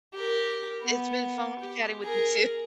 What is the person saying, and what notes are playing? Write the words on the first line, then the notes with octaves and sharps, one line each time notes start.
It's been fun chatting with you too.
G4 A#4
B3
G4
G#4 A#4